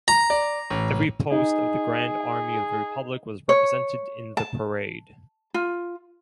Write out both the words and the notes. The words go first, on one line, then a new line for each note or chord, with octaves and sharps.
Every post of the Grand Army of the Republic was represented in the parade.
A#5
D5
A1
D#4 G#4
C#5
A5
F4